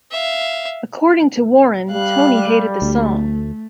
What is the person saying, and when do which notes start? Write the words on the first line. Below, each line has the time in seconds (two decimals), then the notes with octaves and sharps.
According to Warren, Toni hated the song.
0.11 E5 F5
1.91 G3 F5 F#6
2.82 D2 A3